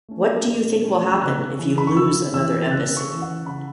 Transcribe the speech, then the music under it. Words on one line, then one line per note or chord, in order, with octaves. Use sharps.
What do you think will happen if you lose another embassy?
A3 C#4
B2
A3 C#4
E6
C#3 F#6
E3 C#4
B5
C#6
C#3 E6
E3 C#4 E6
A6
C#3 F#6
C#6
E3 C#4
F#5
C#3 B5